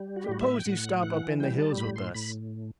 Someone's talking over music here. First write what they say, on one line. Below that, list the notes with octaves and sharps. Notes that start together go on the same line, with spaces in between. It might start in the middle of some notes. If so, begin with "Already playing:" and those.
S'pose you stop up in the hills with us.
Already playing: G3
F#4
G4
A2 F#4
E5
G5
A2 F#5
E3 F#5
G3 G5
A5
A2 B5
C6
A2 B5